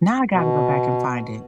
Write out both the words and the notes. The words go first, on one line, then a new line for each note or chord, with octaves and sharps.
Now I gotta go back and find it.
B2